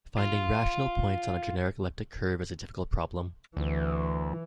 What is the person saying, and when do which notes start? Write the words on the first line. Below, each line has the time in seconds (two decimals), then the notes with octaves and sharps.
Finding rational points on a general elliptic curve is a difficult problem.
0.18 F4
3.57 D2 E3